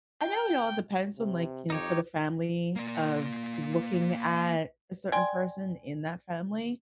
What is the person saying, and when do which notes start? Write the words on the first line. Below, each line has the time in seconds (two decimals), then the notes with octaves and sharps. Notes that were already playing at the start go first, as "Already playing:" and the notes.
I know it all depends on, like, you know, for the family of looking at a certain person in that family,
0.21 G5
1.18 C3
1.70 F2 D#4 G4 C#5
2.76 A#3 D5
5.12 D5 G5 G#5 C6